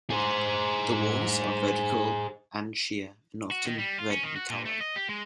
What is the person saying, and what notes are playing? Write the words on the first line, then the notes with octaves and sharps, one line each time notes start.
The walls are vertical and sheer, and often red in color.
G#4 C5
F#4
D#3
G3
F4
C#4
D#3
F#4
A#2
A3
D#5
G4
G#3